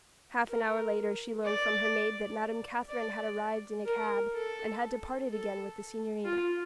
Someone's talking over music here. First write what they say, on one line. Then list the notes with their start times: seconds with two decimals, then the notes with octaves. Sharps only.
Half an hour later she learned from her maid that Madame Catherine had arrived in a cab and had departed again with the signorina.
0.49 A#4
1.45 D5
2.89 D5
3.86 A#4
4.33 A4
5.30 A4
6.25 F4